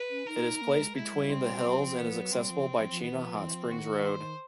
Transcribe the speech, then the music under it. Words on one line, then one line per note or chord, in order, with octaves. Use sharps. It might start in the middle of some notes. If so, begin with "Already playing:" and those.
It is placed between the hills and is accessible by Chena Hot Springs Road.
Already playing: B4
C#4
D#4 A#4
A#3
G#3
G#3 E4
G3
C4
F#3
F3
E3 B3
F3
F#3
G3 C4
F3
F3
F3
E3 B3
E3
F3
E3 C4
F3
D#3 F#4
C5